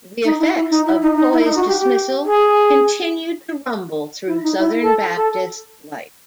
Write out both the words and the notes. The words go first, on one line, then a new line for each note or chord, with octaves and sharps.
The effects of Toy's dismissal continued to rumble through Southern Baptist life.
D#4
E4
E4
D#4
E4
D#4
D#4
E4
D#4
F#4
G4
G4
G#4
E4
D#4
E4
A4
A4